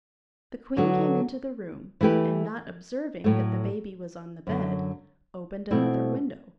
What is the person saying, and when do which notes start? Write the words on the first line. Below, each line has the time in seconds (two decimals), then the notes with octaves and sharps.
The queen came into the room, and not observing that the baby was on the bed, opened another window.
0.76 D3 F#3 B3 F#4 A4
2.01 E3 A3 E4 G4 B4
3.24 A2 F#3 A3
4.47 F#2 D3 F#3
5.71 B2 A3 C4 E4